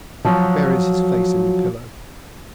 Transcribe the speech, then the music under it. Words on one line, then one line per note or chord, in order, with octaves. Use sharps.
He buries his face in the pillow.
F3 F#3